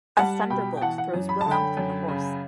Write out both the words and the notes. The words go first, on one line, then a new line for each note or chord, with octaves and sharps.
A thunderbolt throws Wilhelm from the horse.
G3 F#5 A5
B2 G5 B5
G5
E3 F#5 A5
F#5
F#2
B5
D3 A5
G5 B5
F#2
C#3